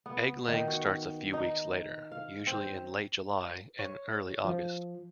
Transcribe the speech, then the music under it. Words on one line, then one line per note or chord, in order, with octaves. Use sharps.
Egg laying starts a few weeks later, usually in late July and early August.
B3
D#3
F#4
D#4
F5
C4
C#5
F3